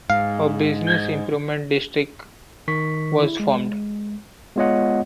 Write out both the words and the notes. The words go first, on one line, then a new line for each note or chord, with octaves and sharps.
A business improvement district was formed.
G#2 F5
D#3 C#6 B6
E4
G#3
G#3 B3 F4 C#5 D#5 F#5